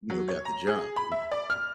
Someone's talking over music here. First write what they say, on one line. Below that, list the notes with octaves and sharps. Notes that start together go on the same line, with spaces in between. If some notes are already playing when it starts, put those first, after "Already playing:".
you know, got the job, you know
F#3
C#5
A#5
G#4
B5
E5
D5
F6